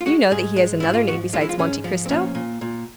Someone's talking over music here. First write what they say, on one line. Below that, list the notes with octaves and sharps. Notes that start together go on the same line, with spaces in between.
"You know that he has another name besides Monte Cristo?"
F4
G#3 F#4
G#2 G#4
G#3
G#2 E4
F4
F3 F#4
G#3 F4
E4
F4
G#2 C#4
F3
C4
A#2 C#4
A#2
A#2